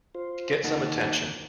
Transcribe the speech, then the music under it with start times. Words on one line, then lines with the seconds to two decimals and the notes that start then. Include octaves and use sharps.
Get some attention.
0.15 F4 C5
0.64 D#3 A#3 D#4 F#5 A5